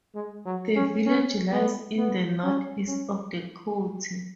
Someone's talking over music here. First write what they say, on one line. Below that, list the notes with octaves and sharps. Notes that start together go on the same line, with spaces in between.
The village lies in the north east of the county.
G#3
F#3
C#4
C#4
B3
B3
C#4
C#4